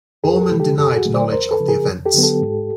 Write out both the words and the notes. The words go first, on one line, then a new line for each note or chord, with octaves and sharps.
Bormann denied knowledge of the events.
F2 G#4 A#4
G4 A4
C3 F3 G#3
G4 A4
F#2 G4 A4
F#4 G#4
D3 F#3 A3
C5 D5
E2 A#4 C5
A4 B4
C#3 F3
G#4 A#4
F2
G4 A4
D3 F#3 B3
G4 A4
G#2